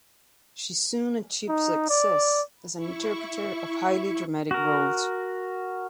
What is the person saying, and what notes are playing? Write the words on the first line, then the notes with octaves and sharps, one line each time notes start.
She soon achieved success as an interpreter of highly dramatic roles.
D#4
D5
E4 C#6
F#4 A#4